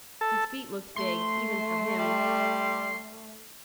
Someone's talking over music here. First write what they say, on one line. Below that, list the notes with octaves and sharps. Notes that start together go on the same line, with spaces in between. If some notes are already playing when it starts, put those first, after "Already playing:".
His feet looked big, even for him.
A4
A3 C6
G3